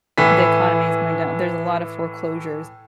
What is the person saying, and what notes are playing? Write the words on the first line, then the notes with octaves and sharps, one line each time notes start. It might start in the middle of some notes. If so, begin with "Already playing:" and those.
"The economy is going down, there's a lot of foreclosures."
A2 E3 B4 B6